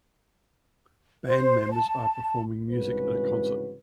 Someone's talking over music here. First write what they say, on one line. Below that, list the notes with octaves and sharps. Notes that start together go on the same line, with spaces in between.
Band members are performing music at a concert.
C5
A5
C2 G#2 C#3 E3 F#4 B4